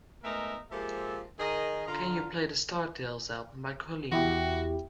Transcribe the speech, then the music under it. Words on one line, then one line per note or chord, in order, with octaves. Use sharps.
Can you play the Star Tales album by Colleen?
G#3 A3 B3 D#4 A#4 E5
F3 G#3 A#3 G4 A4 E5
D#3 G#4 A#4 D#5
D3 F4 A#5
E2 E4 F#4 G4